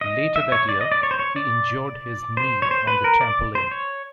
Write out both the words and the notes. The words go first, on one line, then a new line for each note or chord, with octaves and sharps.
Later that year, he injured his knee on the trampoline.
D#5
E5
C#5
D5
D#5
D5
C#5
C5
C#5
D5
C5
C#5
C5
B4
A#4
D5
C5
C#5